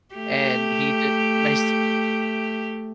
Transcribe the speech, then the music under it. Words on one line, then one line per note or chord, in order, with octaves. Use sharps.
And he did my s
A3 G4